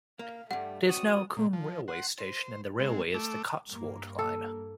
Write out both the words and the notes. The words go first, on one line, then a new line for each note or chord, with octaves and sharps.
It is now Combe railway station and the railway is the Cotswold Line.
A#3 F5
G2 G3 A3 F#5
C4 F#4 D5 D#6
A#2
F3
F#5 C6
C5
G#3 C4
A3 D6 E6
G2 A#3
A4